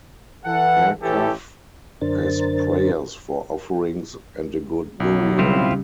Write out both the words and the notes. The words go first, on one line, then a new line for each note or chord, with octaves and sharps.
Harkuf has prayers for offerings and a good burial.
E3 A4 F#5
A1 E3 C#4 G4 A4
F#2 D3 D4 A#4 C5 A6
B1 F#3
C#3 G3 C4 E4 F4